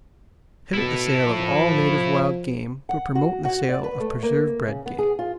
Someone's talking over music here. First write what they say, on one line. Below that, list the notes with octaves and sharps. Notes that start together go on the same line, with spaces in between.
Prohibit the sale of all native wild game; but promote the sale of preserve-bred game.
B2 E4 A4
F3
F#5
F#4
F#4
D5
B4
A3
A#3
C#3
B3
G#4
F4